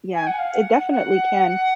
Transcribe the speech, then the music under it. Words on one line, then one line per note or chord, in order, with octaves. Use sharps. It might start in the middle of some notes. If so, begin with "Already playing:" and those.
Yeah, it definitely can.
G#5
F#5
F5
F#5
F#5